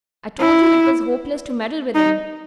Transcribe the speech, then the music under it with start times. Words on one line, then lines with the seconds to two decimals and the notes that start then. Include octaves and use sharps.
'I told you it was hopeless to meddle with him.
0.40 E4
1.95 D#4